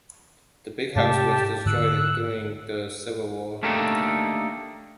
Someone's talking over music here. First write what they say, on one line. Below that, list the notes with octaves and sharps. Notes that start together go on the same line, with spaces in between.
The big house was destroyed during the Civil War.
G#2 C3 A3 G4 A5
G#2 D3 E6 F#6
A3 A#3 D4 D#4 G4 A4